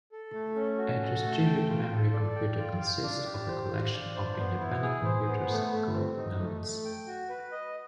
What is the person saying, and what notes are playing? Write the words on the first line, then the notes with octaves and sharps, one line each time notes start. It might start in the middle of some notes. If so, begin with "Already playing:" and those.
A distributed memory computer consists of a collection of independent computers, called nodes.
A4
A3
C#4
F#4
A4
A3
G5
F4
A4
D5
G5
F4
F5
D4
G4
C5
F5
D4
C5
B3
E4
G#4
C5
B3
A3
A3
C4
D#4
A3
A3
G5
F#4
B4
D#5